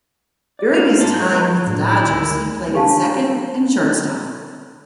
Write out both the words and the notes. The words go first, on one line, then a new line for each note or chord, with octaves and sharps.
During his time with the Dodgers, he played at second and shortstop.
D5
F5
G#2 A4 C5
E3 G#4 G5
G#3 A#4 B4
A2 D4
E4
D#3
D2
D4 G4 F5 G#5 A5